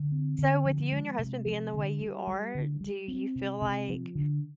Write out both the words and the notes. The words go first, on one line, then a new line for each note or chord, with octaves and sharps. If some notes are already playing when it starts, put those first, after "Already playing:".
So, with you and your husband being the way you are, do you feel like
Already playing: D3
C4
D3
F3
G#3
C3
F3
D3
G3
G3
D3
G3
C4
C3
C3
F3
D3